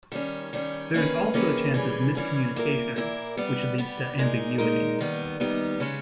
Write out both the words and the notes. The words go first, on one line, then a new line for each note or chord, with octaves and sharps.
There is also a chance of miscommunication which leads to ambiguity.
D#3 G3 C#4
D#3 G3 C#4
D#3 A#3 C#4 G#4 B4
D#3 A#3 C#4 G#4 B4
E3 G3 C#4 G#4
E3 G3 C#4 G#4
A#2 A#3 E4 A#4
A#2 A#3 E4 A#4
G3 B3 G4
G3 B3 G4
A#2 G#3 D#4 A#4
A#2 G#3 D#4 A#4
D#2 D#3 G3 B3
D#2 D#3 G3 B3
C#3 G#3 C#4